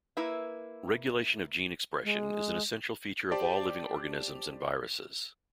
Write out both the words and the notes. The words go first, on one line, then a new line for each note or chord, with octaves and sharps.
Regulation of gene expression is an essential feature of all living organisms and viruses.
A#3 E4 B4 E5
G#3
G4 C5 D5 A5